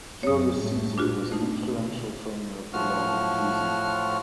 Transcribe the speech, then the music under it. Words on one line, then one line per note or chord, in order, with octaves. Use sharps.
Julius Caesar was an influential framer of the law on treason.
B1 F#2 C3 C#5 D#6
A2 G3 A3
G2 A#2 D4 F4 F#4
A3 D#4
B2 D3
A2 F3 F#4 F6